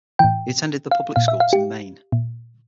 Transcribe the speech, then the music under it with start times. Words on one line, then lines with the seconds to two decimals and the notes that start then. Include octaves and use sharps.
He attended the public schools in Maine.
0.19 A2 E3 G5
0.91 F5
1.16 A#2 F5
1.28 E5
1.40 F5
1.53 G4
2.12 A#2